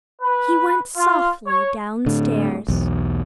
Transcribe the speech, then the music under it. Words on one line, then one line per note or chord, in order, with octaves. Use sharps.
He went softly downstairs.
B4
F4
C#5
A2 D3
B1 E2